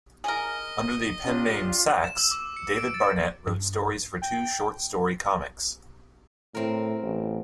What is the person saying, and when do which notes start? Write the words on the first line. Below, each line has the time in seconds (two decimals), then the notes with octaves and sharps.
Under the pen name "Sax", David Barnett wrote stories for two short story comics.
0.24 G#4 A#4 D#5
1.25 C#4 D4 F4 G4 C#5
2.04 E7
2.17 E6
2.31 D6
2.57 C#7
2.76 D7
2.94 A6
3.47 G2
4.22 G5
6.55 A2 C4 A#4
7.03 A1